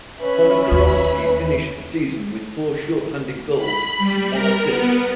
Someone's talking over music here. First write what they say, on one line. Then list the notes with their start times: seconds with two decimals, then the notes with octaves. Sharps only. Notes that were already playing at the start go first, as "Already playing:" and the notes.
Ponikarovsky finished the season with four shorthanded goals and one assist.
0.20 C#4 B4 E5 B5
0.71 D#2 B4
3.57 B5
3.98 G3
4.31 A#4
4.65 B3